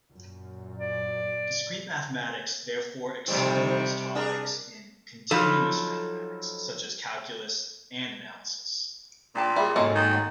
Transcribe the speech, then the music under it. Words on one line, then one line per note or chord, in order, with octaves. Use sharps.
Discrete mathematics therefore excludes topics in "continuous mathematics" such as calculus and analysis.
F#2 A#2
D5
F2 C3 D#3 G3 C4
D4 G#4 A#4
F3 F#3 D#4 A4 B5 F6
A#2 D4 G5 A5
G3 G#4 E5
G#2 G#3 A#3 C#4 F#4 A4 C#5
D#3
F#5